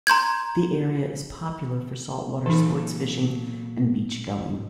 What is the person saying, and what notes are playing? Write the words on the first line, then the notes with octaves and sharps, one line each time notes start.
The area is popular for saltwater sports fishing and beach-going.
A#5 C6 G6 G#6
A#2 E3 F#3 D#4 A4